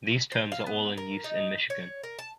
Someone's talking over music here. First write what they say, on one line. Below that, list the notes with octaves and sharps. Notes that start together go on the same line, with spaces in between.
These terms are all in use in Michigan.
C5
F5
B3
A#4
D#4
C#5
A#4
A5